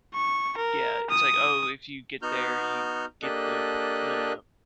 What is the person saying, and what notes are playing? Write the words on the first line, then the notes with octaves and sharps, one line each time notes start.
Yeah, it's like, "Oh, if you get there, you get the the
C#6
A#4
D#6
B3 D#4 F#4 F6 G6
A#3 D4 G4 A4 D#5 F#6